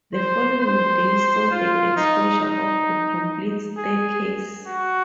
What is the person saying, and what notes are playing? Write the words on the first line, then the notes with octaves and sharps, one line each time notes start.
The following day saw the exposure of a complete staircase.
C5
C5
F4
D#4
D#4
G#4
F#4